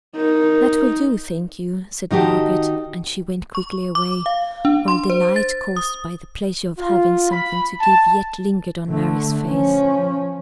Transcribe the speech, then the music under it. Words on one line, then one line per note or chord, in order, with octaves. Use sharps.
'That will do, thank you,' said Margaret; and she went quickly away, while the light caused by the pleasure of having something to give yet lingered on Mary's face.
D#4 A#4
D#3 D#4 F#4 G4 A5
C#6
D6
F5
D4
C6
C5
A6
D#6
F4
B5
A5
D3 A3
F3 C#4